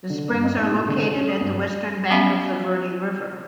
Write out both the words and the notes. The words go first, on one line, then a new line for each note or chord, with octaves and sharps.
The springs are located at the western bank of the Verde River.
D3
G2
D#5
G#2
A2
D3
C#4
D#6
G2
F#3 B3 C#4 E5 F5 B5